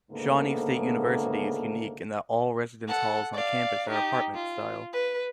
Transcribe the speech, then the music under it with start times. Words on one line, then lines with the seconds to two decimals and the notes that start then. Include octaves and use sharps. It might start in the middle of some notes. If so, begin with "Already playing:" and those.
Shawnee State University is unique in that all residence halls on campus are apartment-style.
0.11 D2 G#2 C#3 A#3 B3 A4
2.88 A4 F#5
3.34 D5 F5
3.90 D#4 G4
4.34 F4
4.93 B4